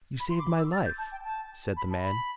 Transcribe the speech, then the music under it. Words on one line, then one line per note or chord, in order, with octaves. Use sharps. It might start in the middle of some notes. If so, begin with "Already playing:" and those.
"You saved my life," said the man.
B5
C6
D6
D6
E6
A6
G6
A5
G5
A5
B5
A5
B5